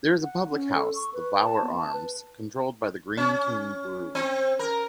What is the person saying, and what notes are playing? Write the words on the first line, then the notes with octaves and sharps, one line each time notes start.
There is a public house, the Bowyer Arms, controlled by Greene King Brewery.
F#5
C#4
A4
C#6
B4
A5
B3
A5
B4
C#4
C4
A#4